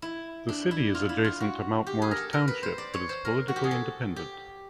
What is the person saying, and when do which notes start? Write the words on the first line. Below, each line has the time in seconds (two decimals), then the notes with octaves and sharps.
The city is adjacent to Mount Morris Township, but is politically independent.
0.02 E4
0.49 D4
0.71 E4
0.95 F4
1.09 E4
1.24 F4
1.40 F#4
1.87 G4
2.02 G#4
2.11 A#4
2.17 A4
2.33 A#4
2.48 B4
2.63 C5
2.78 D5
2.94 C#5
3.09 C5
3.25 A#4
3.48 F#4
3.56 G4
3.64 G#4
3.71 A4
4.16 G4